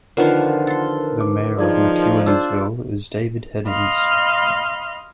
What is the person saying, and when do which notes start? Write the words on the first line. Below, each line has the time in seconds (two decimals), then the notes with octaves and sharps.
The mayor of McEwensville is David Heddings.
0.17 D3 D#3 F3 F4 A#4 B4 F#5
0.67 A4 C6
1.21 D6
1.57 F3 D#4 G#4 D5 G#6
2.26 D4 F4 C5 E6
3.67 D#5 F5 B5 C6 F6